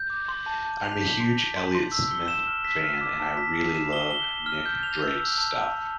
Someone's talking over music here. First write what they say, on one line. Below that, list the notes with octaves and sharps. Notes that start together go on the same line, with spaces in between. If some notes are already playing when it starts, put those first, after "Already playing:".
I'm a huge Elliott Smith fan and I really love Nick Drake's stuff.
Already playing: G6
D6
C6
A5
A5
F7
B6
C6
B6
C6
C6
E6
G7
E7
F6
B6
F6
D6
A5
B6
C7
E7
G7
G7
G7
F6
G6
F7
E6
E6
A5
A5
A5